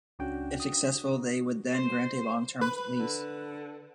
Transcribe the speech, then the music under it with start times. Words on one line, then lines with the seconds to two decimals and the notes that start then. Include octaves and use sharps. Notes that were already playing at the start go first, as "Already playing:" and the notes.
If successful they would then grant a long-term lease.
0.19 C#2 C#4 D4 F#4 G5
0.60 D#6
1.75 C5
2.61 B4
2.99 D3